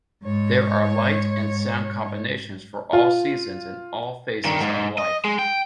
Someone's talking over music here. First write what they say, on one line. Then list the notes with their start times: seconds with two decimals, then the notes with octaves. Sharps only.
There are light and sound combinations for all seasons and all phases of life.
0.22 G#2 C#5
2.93 F4
4.45 G2 D#3
4.61 G#2
4.98 D#5
5.25 G#3
5.39 G5